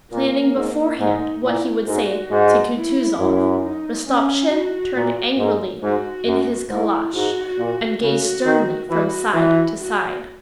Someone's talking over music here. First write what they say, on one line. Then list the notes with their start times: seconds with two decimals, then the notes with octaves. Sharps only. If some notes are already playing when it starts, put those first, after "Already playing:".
Planning beforehand what he would say to Kutuzov, Rostopchin turned angrily in his caleche and gazed sternly from side to side.
0.12 A#2 A#3
0.56 G#2
1.00 G#2 D#4
1.43 A#2 E4
1.87 G#2 F#4
2.31 G#2
2.75 E4
3.19 F#2
3.62 D#4
4.07 C#4
4.51 F#4
4.95 A#2
5.38 G#2
5.82 G#2 F#4
6.26 F#2
6.70 G#2 E4
7.14 G#2 F#4
7.58 A#2
8.02 C#3 F#4
8.46 D#3
8.89 E3 F#4
9.34 E3
9.78 F#4